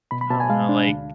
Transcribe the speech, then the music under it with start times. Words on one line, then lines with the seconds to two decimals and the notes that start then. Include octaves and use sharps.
I don't know, like,
0.11 B2 B5
0.21 B5
0.30 B2 A5
0.40 G#5
0.50 G#3 F5
0.69 D4
0.88 D2